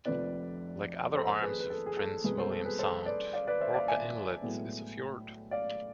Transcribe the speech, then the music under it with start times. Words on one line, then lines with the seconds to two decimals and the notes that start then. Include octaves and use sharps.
Like other arms of Prince William Sound, Orca Inlet is a fjord.
0.05 F1 F2 C3 B4 D5
1.15 A4 C5
1.29 A4 C5
1.42 G#4 B4
1.60 B4
1.70 A4
1.86 G#4
1.97 A4
2.24 C2 B2 G#3 B3 G#4 B4
2.38 A4 C5
2.51 A4
2.65 G#4 B4
2.79 A4 C5
3.06 B4 D5
3.33 D5 F5
3.47 B4 D5
3.61 C5 E5
3.74 D5 F5
3.88 E5 G#5
4.42 B1 A2 G#3 B3
5.51 D5 F5